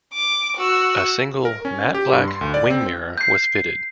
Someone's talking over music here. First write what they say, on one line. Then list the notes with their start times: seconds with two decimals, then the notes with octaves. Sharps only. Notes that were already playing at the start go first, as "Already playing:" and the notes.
A single matte black wing mirror was fitted.
0.13 D6
0.57 F#4 E6
1.45 A#4
1.65 C#4
1.95 G4
2.12 G2
2.28 C6
2.41 D2
2.54 D5
2.70 C4
3.18 G6 C7